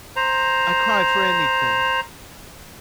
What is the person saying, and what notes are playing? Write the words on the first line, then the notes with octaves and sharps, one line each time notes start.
I cry for anything.
C5 A#5